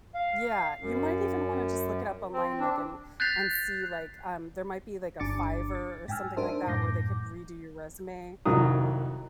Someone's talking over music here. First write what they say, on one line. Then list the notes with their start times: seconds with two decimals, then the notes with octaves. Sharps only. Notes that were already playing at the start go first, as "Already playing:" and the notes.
Yeah, you might even want to just look it up online, like, and and see like, um, there might be like a Fiverr or something like that where they could redo your resume
0.15 F5
0.81 F#2
2.33 C4
2.60 D4
3.20 F#6 G6 A6 B6 C7 F7
5.20 G1 D4 D6 A6 C#7
5.75 A6
6.08 G#2 G5 G#5 E6 F6
6.36 D4 D#4 A#4 C5 E5 A5
6.67 F#2 A2 D6 G6 A#6
8.46 C2 F2 D#3 F#3 D#6